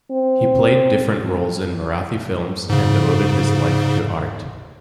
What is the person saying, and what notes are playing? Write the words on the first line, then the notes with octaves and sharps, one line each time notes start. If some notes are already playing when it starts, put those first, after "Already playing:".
He played different roles in Marathi films and devoted his life to art.
C4
G#2 C#3